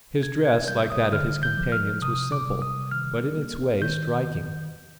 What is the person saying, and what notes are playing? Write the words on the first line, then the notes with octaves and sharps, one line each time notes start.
His dress, like that of his companions, was simple, but in its way striking.
C3 G#6
G#6
G3 G6
D#6
D3 F6
G6
F3
F6
C3 D#6
D6
G3
D#6
D#3 F6
A#3
D#3 G6